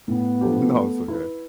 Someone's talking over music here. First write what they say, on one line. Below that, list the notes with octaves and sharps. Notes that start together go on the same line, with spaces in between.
No, it's okay.
A2 B3
F3 A3 D4 G4
A3
E4 B4